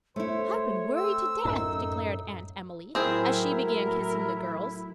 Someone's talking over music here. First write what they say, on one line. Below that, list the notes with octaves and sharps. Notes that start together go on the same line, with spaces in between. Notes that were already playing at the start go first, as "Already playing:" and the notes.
"I've been worried to death," declared Aunt Emily, as she began kissing the girls.
A3 E4 C5 C#5
C4 E6
F#2 A2 D#4
A2 F#3 C4 E4 G#4 A#4